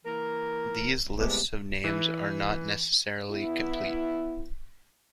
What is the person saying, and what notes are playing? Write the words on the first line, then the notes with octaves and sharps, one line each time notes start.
These lists of names are not necessarily complete.
E3 A#3 A#4
A2 C3 G3 G#3 B3
E3
B3 E4